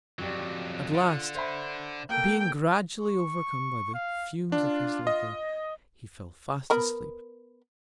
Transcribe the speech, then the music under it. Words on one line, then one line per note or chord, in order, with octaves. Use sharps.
At last, being gradually overcome by the Fumes of his Liquor, he fell fast asleep.
F2 F#3 F#4 G4 D5
D3 F4
C5 E5 B5
A#3 A4 G5
C#6
F5
D4 F4
D#5
B3 A#4 B5